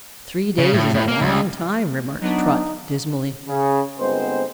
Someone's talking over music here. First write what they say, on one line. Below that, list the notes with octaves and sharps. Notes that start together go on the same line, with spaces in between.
"Three days is a long time," remarked Trot, dismally.
C#3
A2
A2
A#3
C#2
F#3 B3 D4 D#4
C#3
G1 G#3 B3 C4 C5